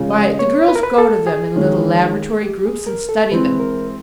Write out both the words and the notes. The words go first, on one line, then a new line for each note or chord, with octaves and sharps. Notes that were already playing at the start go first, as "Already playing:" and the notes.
"Why, the girls go to them in little laboratory groups and study them."
Already playing: C#3 F3 G#3
D#5
C#5
B4
A#4
B4
A4
G#4
D#3 G#3 C#4 F4
G4
G#4
A#4
A4
E3 G#3 C4 E4 B4
A#4